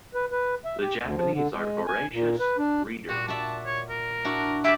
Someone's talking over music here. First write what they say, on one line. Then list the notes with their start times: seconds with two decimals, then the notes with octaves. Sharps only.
The Japanese are voracious readers.
0.14 B4
0.31 B4
0.65 E5
0.82 G4
1.01 D2
1.16 F3
1.33 D3
1.55 G#3
1.87 G#5
2.13 A#2
2.39 B4
2.58 D4
3.09 A#2 G3 F#4
3.28 F#4 D5 E5 A5
3.66 C#5
3.89 A#4
4.24 D4 E4 F#4
4.64 G4 D5 E5 D6